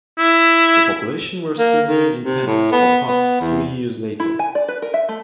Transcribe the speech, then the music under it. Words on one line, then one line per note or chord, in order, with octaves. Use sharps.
The population were still living in tents or huts three years later.
E4
A#3
D#3
C3
A2
B3
B3
E2
E4
G#5
D5
B4
A#4
E5
A3